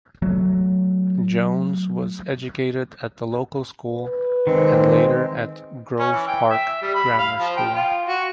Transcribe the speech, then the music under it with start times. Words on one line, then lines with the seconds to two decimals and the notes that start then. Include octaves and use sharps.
Jones was educated at the local school and later at Grove Park Grammar School.
0.22 F#3 A3
3.93 B4
4.47 D#3 G#3 C4
6.00 C#4
6.13 E3
6.27 G5
6.50 E5
6.82 G3
6.95 B5
7.19 F5
7.39 F3
7.57 G5
7.74 F4
8.08 F#4